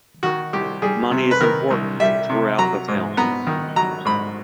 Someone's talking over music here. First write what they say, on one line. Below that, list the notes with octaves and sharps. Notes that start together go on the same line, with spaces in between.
Money is important throughout the film.
D#3 F#4
C2 G4
G3 G#4
C3
B4
D#3 A#4
C2
G3 E5
C3
F#3 A#5
G#2
B3 A#5
D#3
F#3 A#5
G#2 B5